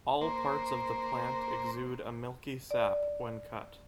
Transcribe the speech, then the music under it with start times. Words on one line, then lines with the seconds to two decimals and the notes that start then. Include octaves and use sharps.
All parts of the plant exude a milky sap when cut.
0.21 A#3 C5
2.71 D5